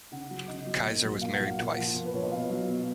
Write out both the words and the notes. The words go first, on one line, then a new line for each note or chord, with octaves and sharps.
Kaiser was married twice.
C#3 F#5
F#3
C#3 D#5
F#3
A#2
F#3
A#2 F5
F#5
F#3
F5
A#2 F#5
F3
A#2
B4
F3 C#5
D#5
B2 F5
F#3
B2